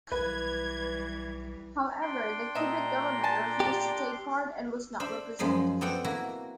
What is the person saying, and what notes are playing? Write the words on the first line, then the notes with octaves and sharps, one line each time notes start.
However, the Quebec government refused to take part and was not represented.
B1 E3 G3 B4 G#6
D4 G5 C6
A#2 D#5 E5 A#5
G#5 A5
G4 D5
D4 C5 E5 B5
F#2 F3 G#3 D#4 B5
B3 C4 A4 D5 F#5 G5
A#3 E4 F#4 A#5